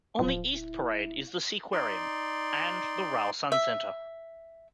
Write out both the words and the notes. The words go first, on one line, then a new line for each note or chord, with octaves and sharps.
On the East Parade is the SeaQuarium and the Rhyl Suncentre.
D1 F3
E4
D#4 D5 C6
E5